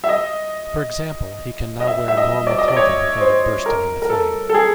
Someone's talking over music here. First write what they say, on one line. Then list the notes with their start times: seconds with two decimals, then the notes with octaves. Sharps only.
For example, he can now wear normal clothing without it bursting into flame.
0.04 E5
0.09 D#5
1.80 D#5
1.87 E5
2.08 E5
2.17 D#5
2.47 D5
2.58 D#5
2.68 D5
2.76 C#5
3.21 C5
3.66 A#4
4.02 A#4
4.10 A4
4.49 A4
4.54 G#4